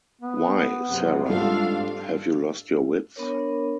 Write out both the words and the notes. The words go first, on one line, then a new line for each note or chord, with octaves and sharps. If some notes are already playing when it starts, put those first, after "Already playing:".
Why, Sara, have you lost your wits?
B3
F#2 C3
G#2 G3 D4 F4 A4 F5
B3 D4 A#4 C#5